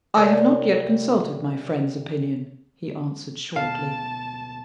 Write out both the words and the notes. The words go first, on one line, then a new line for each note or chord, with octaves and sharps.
"I have not yet consulted my friend's opinion," he answered, shortly.
C2 C#5 G6 A#6 E7
D1 B2 F5 A5